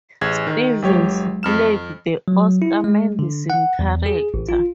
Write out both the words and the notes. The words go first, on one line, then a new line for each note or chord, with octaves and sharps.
Stevens played the Oscar Madison character.
A1 G#4 G#6
D#3
G1 F#3 G#3 G4 C#5
F2 F6 E7
F#3
E4
G#3
D3
F#5
E2
G#4
A1
F4